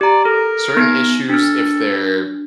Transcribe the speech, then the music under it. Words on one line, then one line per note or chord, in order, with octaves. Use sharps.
certain issues, if they're
G4 D5 A#5
A4 A#4
B3 D#4
D4 A4 F6